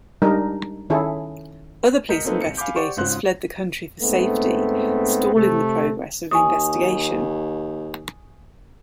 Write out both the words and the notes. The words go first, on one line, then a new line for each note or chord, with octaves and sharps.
Other police investigators fled the country for safety, stalling the progress of the investigation.
G3 G#3 D4 D#4 A#4
D#3 C#4 E4 G#4 A4
E1 A#4 D#5 G6 B6 C#7
A3 A#3 C4 D#4 A4 B4
C2 C#7
F5 G#5 B5 D6 G6
G4 C5 D5 F#5 C#6 D6
G#1 G#2 C#3 F4 C5 F#6
G#2 A3 B3 C4
C3 A3
D#2 G#5 C#6 D#6